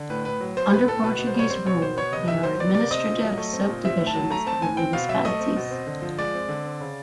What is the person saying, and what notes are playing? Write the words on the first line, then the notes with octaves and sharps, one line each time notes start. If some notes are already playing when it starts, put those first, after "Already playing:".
Under Portuguese rule, they were administrative subdivisions of the municipalities.
Already playing: D3
A2 B4
A2 B4
F#3
B3 C5
A2 B4
A2 A4
B2 B4
B2
C5
G3 C#5
C4 C5
B2 C#5
B2 C5
B3 C#5
C3 D#5
D#3 E5
F#3 C5
B3 D5
C3 D5
C4 D#5
A#2
F#3
A3
C4
A#2
C4 E5
A2
A5
F#3
A3 A#5
C4 A5
A2 G#5
C4 G5
B2 F5
F#3 E5
A3 D#5
C4
B2
C4
D3
F3
G#3 D5
C4
D3
C4
C#3